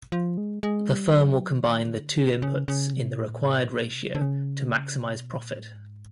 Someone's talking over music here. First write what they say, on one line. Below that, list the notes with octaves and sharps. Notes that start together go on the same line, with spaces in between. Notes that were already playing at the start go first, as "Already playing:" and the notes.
The firm will combine the two inputs in the required ratio to maximize profit.
F3
G#3
G#3
G3
F#3
D#3
D3
C#3
C#3
C#3
C3
A#2
A2
A#2
A2
B2
C3
D3
C#3
C3
B2
A#2
A2
G#2